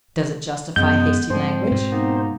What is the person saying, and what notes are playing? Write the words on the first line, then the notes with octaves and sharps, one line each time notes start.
Does it justify hasty language?
F#2 C#3 G#3 B3 G6
G#2 F3 G#3 C4 C5
G#2 B2
A#3 B3 D#4